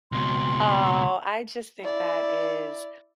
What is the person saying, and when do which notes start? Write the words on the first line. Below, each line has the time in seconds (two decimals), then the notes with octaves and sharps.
Oh, I just think that is
0.12 C#2 B2 C6
1.83 E4 D5